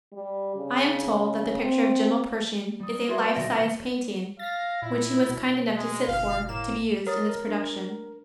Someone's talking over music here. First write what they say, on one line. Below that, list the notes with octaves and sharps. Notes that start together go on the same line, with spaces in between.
I am told that the picture of General Pershing is a life-sized painting, which he was kind enough to sit for, to be used in this production.
G3
C#3
C4
G3 D#6
F#4 G#4 B4 D5 E5 C6
D#1 B2 G3 A#6 D7
F5 A6 A#6
A#2 E4
B2
G#3
G1 F5
A2 A#3 E7
A#4 C#5 D#6 A6
A#4
D4